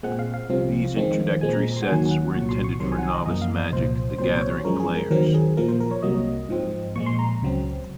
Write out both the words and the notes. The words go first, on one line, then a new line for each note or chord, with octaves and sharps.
These introductory sets were intended for novice Magic: The Gathering players.
A#2 G#3 C4 F#5
F5
F5
C2 C3 F3 C4
F2 D#3 G#3 C4
A#2 G#3 C4 G#5
A#5
C6
F#5
D#2 D#3 F#3 A#3 G#5
F#5
C2 A#2 F#3 C#6
C6
C#6
C2 C3 D#3 F#3 C6
G#5
F#5
G#5
D#5
F#2 F3 A#3 D#5
F5
D#5
C2 A#2 F3 C5
C2 A#2 F#3 C4 C5
C5
C#5
F#2 F3 G#3 A#4
G#4
A#4
D#2 D#3 F#3 C4 A#4
G#4
A#2 F3 A#3 A#4
C5
A#4
C#5
C2 C3 F#3 A#3 D#5
G#2 F3 C4
A#2 F3 G#3 C#6
C6
A#5
C#2 C#3 F#3 C4